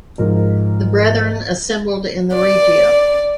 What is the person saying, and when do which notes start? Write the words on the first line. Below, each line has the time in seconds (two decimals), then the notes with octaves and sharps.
The Brethren assembled in the Regia.
0.18 G#2 F3 A#4
2.33 D5